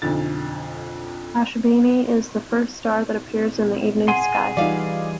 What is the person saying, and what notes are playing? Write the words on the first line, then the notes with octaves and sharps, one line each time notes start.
Ashvini is the first star that appears in the evening sky.
B1 F2 D3 A6
G#4 F#5 G#5 C6
E3 G3 D#4 F4 D5 F5